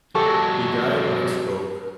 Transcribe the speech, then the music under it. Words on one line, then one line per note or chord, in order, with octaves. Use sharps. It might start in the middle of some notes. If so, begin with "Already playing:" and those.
He died of a stroke.
F#3 G#3 G4 A4 C#6